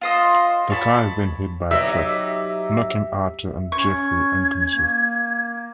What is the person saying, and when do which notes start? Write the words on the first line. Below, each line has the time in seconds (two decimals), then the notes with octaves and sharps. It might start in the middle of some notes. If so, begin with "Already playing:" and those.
The car is then hit by a truck, knocking Arthur and Jeffrey unconscious.
0.02 F4 C5 D#5
0.70 C#5 A5 B5
1.71 F#3 D#4 G4 E5
3.72 C#4 C#6 G#6
4.72 A#3